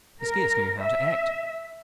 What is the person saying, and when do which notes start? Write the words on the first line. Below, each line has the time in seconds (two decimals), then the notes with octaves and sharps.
He scarce knew how to act.
0.21 A#4
0.80 E5